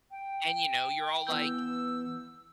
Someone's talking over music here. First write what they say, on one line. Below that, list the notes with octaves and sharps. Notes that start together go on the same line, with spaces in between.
and, you know, you're all, like
G5
E3 B3 E6 G6